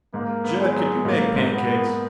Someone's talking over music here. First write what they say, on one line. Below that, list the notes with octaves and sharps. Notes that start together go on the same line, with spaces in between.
"Jud, can you make pancakes?"
G#2 A#3
B3
G#3
F#3
G#2 A#3
G#2
B3
A#3